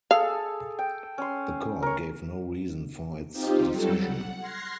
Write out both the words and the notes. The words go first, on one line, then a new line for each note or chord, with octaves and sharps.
The court gave no reason for its decision.
G#4 A4 F5
G5
C#4 C6
A#4 C#5
C4 D#4 F4 G4
F#3 G3 A4
F#5
C6 F6 F#6 G#6 A#6 C7